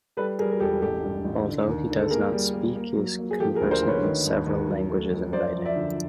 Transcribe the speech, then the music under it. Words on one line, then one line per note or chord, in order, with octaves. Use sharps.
Although he does not speak, he is conversant in several languages in writing.
G3 A4 B4
G3 G#4 A#4
A#4
E1 G4 A4
A1 G4 A4
G2
A1
D3
D#2
D3
A4
A#3 G#4 A#4
G3
A#3
A#3
F#3
A#3
G#4
F3 G4 A4
G#4 A#4
D2
A#4 C5
D2 B4 C#5
D#3
D#2
D#2
F#3
A3
F2
F#2 C5 D5
F3
D5 E5
D3